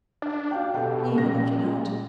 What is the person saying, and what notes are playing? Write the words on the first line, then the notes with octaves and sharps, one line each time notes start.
Even if you don't.'
D4
F#4 F5 G5
B2 G4 A4 G5
C#2 A#2 A#6